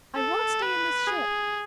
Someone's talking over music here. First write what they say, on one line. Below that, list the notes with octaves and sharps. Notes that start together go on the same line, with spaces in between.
I won't stay in this ship!
A4
B4
G#4